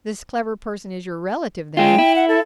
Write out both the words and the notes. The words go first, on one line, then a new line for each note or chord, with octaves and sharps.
"This clever person is your relative, then?"
G#3 F4 G5
E4
F#5
A4